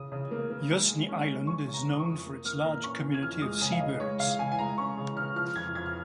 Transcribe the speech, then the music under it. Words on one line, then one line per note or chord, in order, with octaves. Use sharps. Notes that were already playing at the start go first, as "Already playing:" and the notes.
Yuzhny island is known for its large community of sea birds.
Already playing: C#3 D#6
C#3
A#3
A#3
G#3
G#3
C#4
G#3
C#4 C#6
C#3
A#5
C#3
D#6
C#6
F2
A#3
A#3 F6
A#2 A#5
C#4 C#6
C#4
G#6
F2 F6
G#3 D#6
C#3 G#5
F5
C#3 D#5
G#3 C#5
C#3 F5
C#3 G#5
G#5
G#3 A#5
C#4 C#6
C#3
C#3 F6
F3 F6
F2 G#6
F2 G#6
F6